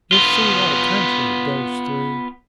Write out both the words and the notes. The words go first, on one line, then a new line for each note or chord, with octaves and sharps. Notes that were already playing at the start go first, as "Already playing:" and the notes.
Just see what a country it goes through.
B3 F4